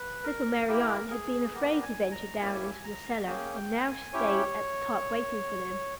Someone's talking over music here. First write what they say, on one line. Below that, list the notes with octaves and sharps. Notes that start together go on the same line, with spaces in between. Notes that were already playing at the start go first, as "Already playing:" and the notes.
Little Marianne had been afraid to venture down into the cellar, and now stayed at the top waiting for them.
Already playing: B4
A#4
A#3 E4 G4 A#4
G#4
B3 G4 A#4
G#5
A#5
A#3 C#4 E4 G4 G#5
A#5
A#3 C#4 G#4 G5
G5
G#5
C#4 E4 G4 C#5